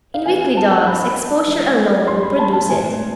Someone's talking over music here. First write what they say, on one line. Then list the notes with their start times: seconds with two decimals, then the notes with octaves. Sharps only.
In weakly dogs exposure alone will produce it.
0.14 F5
0.26 E3 B3 F4 G#5
0.41 G#5
0.57 A5
0.71 A5
0.87 B5
1.47 E3 G#3 D4
2.08 C6
2.23 B5
2.39 A5
2.53 A5
2.69 A2 G#3 C4 E4 G#5